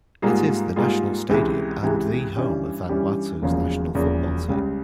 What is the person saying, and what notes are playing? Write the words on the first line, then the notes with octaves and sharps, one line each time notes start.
It is the national stadium and the home of Vanuatu's national football team.
G#2 G3 A#3 F4 G#4
G#2 G3 A#3 F4 G#4
C#2 C3 E3 G#3
C#2 C3 E3 G#3
G2 E3 G3 C#4 G4
G2 E3 G3 C#4 G4
E1 E2 C#3 F3 A#3
E1 E2 C#3 F3 A#3
C#2 C#3 G3